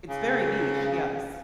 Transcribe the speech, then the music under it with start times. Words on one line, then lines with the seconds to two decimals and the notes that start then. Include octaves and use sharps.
It's very niche, yes.
0.09 C#3